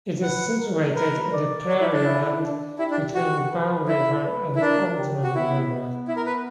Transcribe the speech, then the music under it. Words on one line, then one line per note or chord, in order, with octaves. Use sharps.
It is situated in the prairie land between Bow River and Oldman River.
B4 F#5
A#4
A#4 B4
D5
F#4
E4
D4
E4
D4
E4 G4
D4
F#4 G4
B4
E4
B4
E4
D4 A#4
G4
F#4
B3 E4
B3
E4
A#4
B4